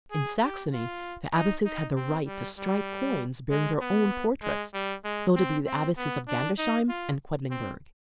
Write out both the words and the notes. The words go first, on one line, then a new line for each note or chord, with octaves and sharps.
In Saxony, the abbesses had the right to strike coins bearing their own portraits, notably the abbesses of Gandersheim and Quedlinburg.
G#4
G4
F4
D#4
D#4
C4
G3
G3
G#3
B3
G#3
G3
G#3
C4
C4
B3
D4
D#4
F4
C4